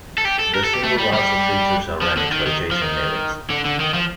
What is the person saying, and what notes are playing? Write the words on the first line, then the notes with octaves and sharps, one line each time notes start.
The single also features a remix by Jason Nevins.
A4
G4
A4
A#4
A4
G4
A3
G3
G3
F3
D3
D#3
D#3
F3
D#3
D3
D3
D#3
F3